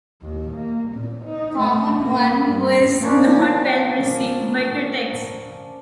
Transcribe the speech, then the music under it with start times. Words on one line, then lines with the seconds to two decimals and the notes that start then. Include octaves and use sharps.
"Common One" was not well received by critics.
0.23 D#2
0.52 A#3
0.89 A#2
1.25 D#4
1.60 A3
2.01 A#3
2.46 G2
3.02 F3 A#3 C#4 D4